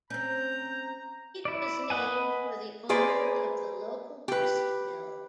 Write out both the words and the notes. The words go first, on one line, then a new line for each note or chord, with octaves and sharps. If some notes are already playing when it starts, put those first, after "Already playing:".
It was named for the owner of the local grist mill.
C4 C#4 A#5 G6
E4 D5
B4 D#5 F#5 G#5
A#3 G#4 B4 C5 D5
G4 B4